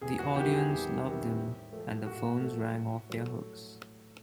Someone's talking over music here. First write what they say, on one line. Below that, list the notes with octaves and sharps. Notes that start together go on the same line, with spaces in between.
The audience loved them and the phones rang off their hooks.
E2 G#4
F#4
C3 D#3 G3 G4
G#4
E2 G4
C3 D#3 G3
A2
F3 A3
A2 F#4
F3 A3
A2
F#3 A3